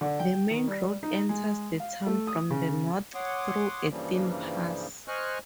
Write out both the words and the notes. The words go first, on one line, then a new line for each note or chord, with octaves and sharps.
The main road enters the town from the north through a thin pass.
D3
G5
D#3
G3
D#4
G#3
F5
A3
D#6
C#3
C#5 F#5 C6 D6 D#6
G2 C#3 E3 F3 G3 A#3
C5 D#5 G#5 C#6 F6 F#6